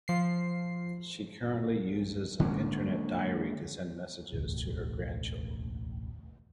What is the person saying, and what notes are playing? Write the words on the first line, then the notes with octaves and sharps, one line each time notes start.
She currently uses an internet diary to send messages to her grandchildren.
F3 C7
D3 G#3 A#3 C#4
E1 A1 D2